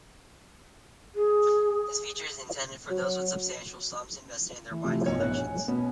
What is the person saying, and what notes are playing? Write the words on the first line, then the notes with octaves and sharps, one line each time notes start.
This feature is intended for those with substantial sums invested in their wine collections.
G#4
F#3
E3
C3 E3 F3 A3
B1 B2 C#5 D#5
A#1 B3 C#5 F#6
G#5
B2 B3 C#4